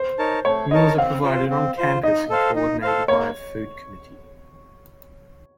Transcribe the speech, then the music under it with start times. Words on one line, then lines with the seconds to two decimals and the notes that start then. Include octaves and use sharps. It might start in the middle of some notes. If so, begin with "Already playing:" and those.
Meals are provided on campus and coordinated by a food committee.
Already playing: C5
0.19 D#4 A#4 C#5 A5
0.45 A3 C#5
0.71 D#4 A#4 C#5 D#5 A5
0.97 C4 F5
1.23 F4 C5
1.50 C4
1.77 F4 C5
2.03 D#4 D#5
2.30 A4 C5 F5
2.56 D#4
2.82 A4 C5 F5
3.08 A#3 C#5